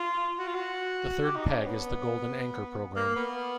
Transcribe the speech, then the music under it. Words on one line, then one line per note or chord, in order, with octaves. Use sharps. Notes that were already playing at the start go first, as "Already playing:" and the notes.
The third peg is The Golden Anchor Program.
Already playing: F4
F#4
F4
F#4
G4
D#4
D4
C#4
B3
A#3
B3